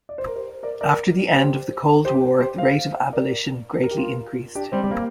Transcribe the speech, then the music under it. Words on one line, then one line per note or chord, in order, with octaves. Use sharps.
After the end of the Cold War, the rate of abolition greatly increased.
D5
C5
A#4
G4 C5
A#4 D5
A#4 D5
G4 C5
G4 C5
G4 C5
C5 F5
A#4 D5
A#4
G4
F4 A#4
D4 G4
G3 C4
G3
A#3